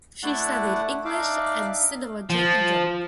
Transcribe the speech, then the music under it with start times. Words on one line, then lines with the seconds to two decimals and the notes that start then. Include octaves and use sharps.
She studied English and sinology in Germany.
0.23 A3 D4 E4 F#5 A5
1.05 D4 D#4 E5 F5 D6
2.30 F3